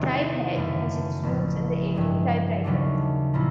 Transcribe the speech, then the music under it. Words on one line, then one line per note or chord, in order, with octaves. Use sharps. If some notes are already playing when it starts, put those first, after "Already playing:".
Typeahead has its roots in the age of typewriters.
Already playing: E2 C3 D#3
F#2 C#3 E3 A3
A1 A2 F3
G2 E3 G#3
D#2 C#3 F#3 A3 D4
A#2 F3 A#3 C#4 E4